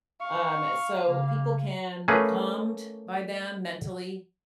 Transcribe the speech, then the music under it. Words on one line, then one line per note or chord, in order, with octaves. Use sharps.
Um, so people can be calmed by them mentally,
F5 C#6
C#3 A#3
A3 A#3 C#4 G#4 B4